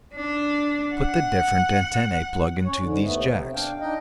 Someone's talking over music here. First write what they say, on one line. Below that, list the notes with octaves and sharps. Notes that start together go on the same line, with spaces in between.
Put the different antennae plug into these jacks.
D4
F#5
C#4 C#5
G#2 D3
D#2 A3 B3
C3
D4 F5 G5
D4 D#4 D#5 G5